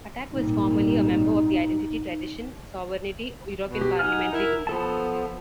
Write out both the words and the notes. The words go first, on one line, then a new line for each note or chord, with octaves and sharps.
Attack was formerly a member of the Identity, Tradition, Sovereignty European parliamentary group.
G#1 A#2 G3 D#4
B2
G4
D#4 F#5 G#5 F6
E4 A#4
F3 B3 A4 A5